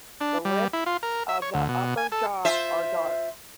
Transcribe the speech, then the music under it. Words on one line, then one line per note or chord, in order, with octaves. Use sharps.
The lips of the upper jaw are dark.
D4
G3
E4
F4
A#4
E5
C#5
D2
B2
G#5
A4
F4 C5 E5